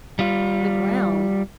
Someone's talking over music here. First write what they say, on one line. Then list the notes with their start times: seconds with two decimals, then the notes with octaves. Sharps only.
the ground.
0.19 G3 F4